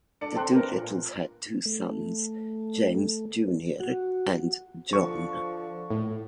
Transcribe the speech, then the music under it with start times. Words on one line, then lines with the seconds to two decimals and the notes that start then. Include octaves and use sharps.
The Doolittles had two sons, James Junior and John.
0.21 D4 A4 D5 C#7
0.35 C4 A4 G5 C6 F#6
0.52 A3 C4 D4 A#4 B4
0.72 A#2
1.66 A3
3.80 F#4
4.93 D3 F3 C#6
5.90 A2